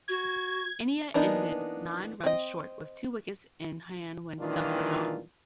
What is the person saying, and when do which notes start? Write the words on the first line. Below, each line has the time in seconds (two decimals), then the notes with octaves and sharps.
India ended nine runs short with two wickets in hand when stumps were drawn.
0.08 F#4 G#6
1.14 E3 A#3 B3 D4 D#4
2.24 C4 D#5
4.39 A#2 D#3 E3 G3 D4 F4